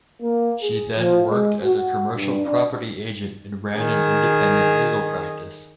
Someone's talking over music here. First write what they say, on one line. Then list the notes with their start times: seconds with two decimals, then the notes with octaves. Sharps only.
She then worked as a commercial property agent and ran an independent legal practice.
0.21 A#3
0.62 G#4
0.98 F3
1.27 G#3
1.64 F#4
2.14 G2
2.46 D4
3.78 D#3 G#4